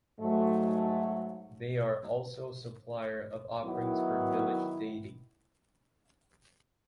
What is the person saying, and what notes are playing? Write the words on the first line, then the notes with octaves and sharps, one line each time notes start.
They are also supplier of offerings for village deity.
G#2 F#3 A3
D#3 F#3 B3 E4